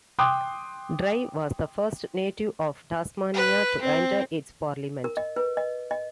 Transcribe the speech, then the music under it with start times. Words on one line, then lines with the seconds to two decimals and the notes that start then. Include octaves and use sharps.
Dry was the first native of Tasmania to enter its parliament.
0.19 G5 C6 D6 D#6 F#6
3.34 B4
3.81 C4
5.04 A#4
5.17 D#5
5.36 B4
5.57 D#5
5.91 D#5